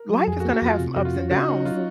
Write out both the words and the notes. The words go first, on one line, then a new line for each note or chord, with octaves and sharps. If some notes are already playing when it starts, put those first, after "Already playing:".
w life is gonna have some ups and downs."
Already playing: A#4
F#3
F2 G#4
F#4
A#3
F#4
F2 F4
C3
F2 F#4
F4
C#4
C#3 F#4
C#4 D#4
F#3 F4